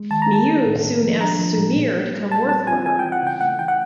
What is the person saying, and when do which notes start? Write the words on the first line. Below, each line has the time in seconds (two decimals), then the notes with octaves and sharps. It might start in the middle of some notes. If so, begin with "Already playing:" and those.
Miu soon asks Sumire to come work for her.
Already playing: G#3
0.10 D#3 A5
0.22 A#5
0.29 D#3 A5
0.47 D#3
0.65 A2
0.84 A2
1.03 F3
1.21 D4 A#5
1.39 F3
1.58 A2
1.76 A#2
1.94 A#2
2.13 G3
2.31 G3 A5
2.49 C4 A5
2.67 F4 G#5
2.86 E3 G#5
2.99 G5
3.04 E3
3.12 F#5
3.23 C#3 G5
3.41 A3 F#5
3.59 E3 G5
3.68 F#5